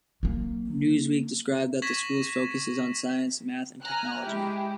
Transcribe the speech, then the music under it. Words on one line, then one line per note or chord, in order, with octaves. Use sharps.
Newsweek described that the school's "Focus is on science, math and technology".
F#3 A#3
C#6 G#6 A#6 B6 E7 F#7
G#5 A#5 F6 F#6
G#3 E4 G4